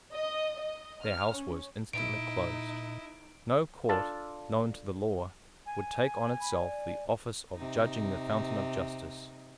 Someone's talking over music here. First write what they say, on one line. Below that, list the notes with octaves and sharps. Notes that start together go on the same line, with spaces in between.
Their house was instantly closed. No court, known to the law, would take on itself the office of judging the fountain of justice.
D#5
D#5
F6
C#4
A#2 D#4 E4 D#5 D7
D4 F4 A4 A5
G#5
B5
D5
C3 D#4